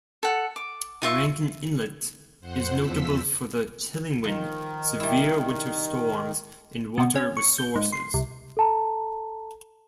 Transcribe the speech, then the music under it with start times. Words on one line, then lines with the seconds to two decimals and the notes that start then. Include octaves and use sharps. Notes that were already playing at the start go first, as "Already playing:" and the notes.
Rankin Inlet is notable for the chilling wind, severe winter storms, and water resources.
0.23 A4 F#5
0.56 D6
1.02 D#4 F4 E5 C#6
2.40 F2 C5 F#5
2.77 E2 F3 E6 B6
4.24 D#3 F3
5.00 G3 E4
6.98 B2
7.16 C#4
7.37 C#6
7.58 G6
7.76 G#2
7.92 C6
8.14 C2
8.57 A4 A5 A#5